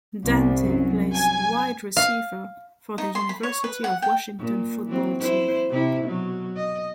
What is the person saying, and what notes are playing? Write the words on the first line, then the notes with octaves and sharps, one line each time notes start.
Dante plays wide receiver for the University of Washington football team.
C2
F#2
G#5
F5
D#4
C6
B5
C#5
B4
F#5
G5
A#2
E3 F#3 C4
E4 C5
C3 E4
B2 F#3
D#5